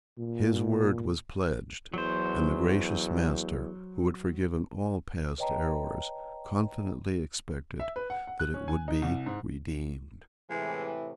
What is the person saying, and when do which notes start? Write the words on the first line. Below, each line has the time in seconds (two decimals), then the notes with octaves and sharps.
His word was pledged; and the gracious master who had forgiven all past errors confidently expected that it would be redeemed.
0.18 A#2
1.94 E2 F#3 C5
5.38 B4 C#5 D#5 G5 A5 A#5
7.80 E5
7.96 B4
8.10 F#5
8.27 F#5
8.39 F#6
8.54 C#4
8.68 G#5
8.88 D#4
9.02 C2
9.26 G#2
10.50 A2 C3 E3 G#3